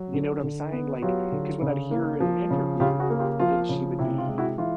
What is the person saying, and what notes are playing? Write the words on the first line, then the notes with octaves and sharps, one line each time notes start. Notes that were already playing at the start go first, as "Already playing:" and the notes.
You know what I'm saying, like, ‘cause when I'd hear in an interview, then she would be
Already playing: F#3
D3
D3
B3
F#3 F4 G4
D3
C#3
A#3
F3
C#3
C#3 F4 G4
F#4 G#4
A#3
F4 G4
F3 F4
C#3
C3 E4
F4
G#3
E4 F#4
E3 F4